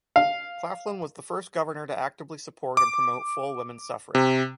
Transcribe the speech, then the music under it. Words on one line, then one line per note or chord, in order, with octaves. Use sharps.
Claflin was the first governor to actively support and promote full women's suffrage.
F5
D6
C3